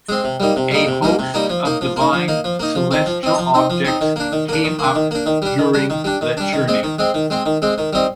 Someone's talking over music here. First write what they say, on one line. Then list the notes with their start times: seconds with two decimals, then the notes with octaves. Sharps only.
A host of divine celestial objects came up during the churning.
0.09 G#3 C4
0.24 C3
0.40 G3 A#3 D#4
0.56 C3
0.71 G3 A#3 D#4
0.87 C3
1.02 G3 A#3 D#4
1.19 C3
1.34 G3 A#3 D#4
1.50 F3
1.65 A#3 D#4
1.81 F3
1.96 A#3 D#4
2.13 F3
2.28 A#3 D#4
2.44 F3
2.59 A#3 D#4
2.75 F3
2.91 C4 D#4
3.06 F3
3.23 C4 D#4
3.38 F3
3.54 C4 D#4
3.70 F3
3.85 C4 D#4
4.01 D#3
4.16 A#3 D4
4.32 D#3
4.49 A#3 D4
4.64 D#3
4.79 A#3 D4
4.95 D#3
5.11 A#3 D4
5.26 D#3
5.42 G3 D4
5.58 D#3
5.74 G3 D4
5.90 D#3
6.04 G3 D4
6.21 D#3
6.37 G3 D4
6.53 D#3
6.68 G#3 C4
6.83 D#3
6.99 G#3 C4
7.14 D#3
7.30 G#3 C4
7.46 D#3
7.62 G#3 C4
7.78 D#3
7.93 G3 C4 D#4